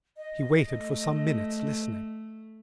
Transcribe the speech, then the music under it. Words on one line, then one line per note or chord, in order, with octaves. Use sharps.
He waited for some minutes listening.
D#5
A3